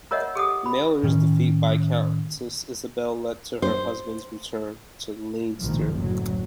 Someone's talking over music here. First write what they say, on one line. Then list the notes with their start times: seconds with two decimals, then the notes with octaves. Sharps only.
Meilyr's defeat by Countess Isabel led to her husband's return to Leinster.
0.11 F4 A#4 C#5 D#5 E5 F#5
0.35 G4 A4 F#5 D#6
0.66 B5
1.03 A2 D#3 C#4
3.62 C5
5.61 A#1 G#2 D#3 F3
5.93 F#1 D2 A2 F#3